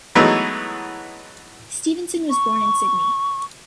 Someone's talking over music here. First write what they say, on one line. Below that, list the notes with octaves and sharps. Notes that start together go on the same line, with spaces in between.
Stephenson was born in Sydney.
E3 F#3 G#3 A3 B3 D#4
C#6